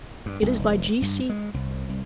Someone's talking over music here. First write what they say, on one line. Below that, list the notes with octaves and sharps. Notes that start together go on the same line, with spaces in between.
It is by G.C.
G2
C2
F1
G2
G#3
C2
C2